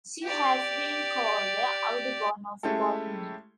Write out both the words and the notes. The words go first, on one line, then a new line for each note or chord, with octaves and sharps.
She has been called the Audubon of Botany.
G4 D5
G#3 A3 C#4 E4 G4 A4